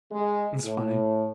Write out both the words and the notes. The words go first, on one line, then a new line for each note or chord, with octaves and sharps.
It's funny.
G#3
A2